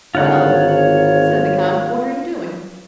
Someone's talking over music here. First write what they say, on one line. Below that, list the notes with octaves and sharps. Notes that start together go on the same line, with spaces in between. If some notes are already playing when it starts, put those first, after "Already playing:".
"Well," said the count, "what are you doing?"
G#1 D3 D#4 F4 C#5 F#5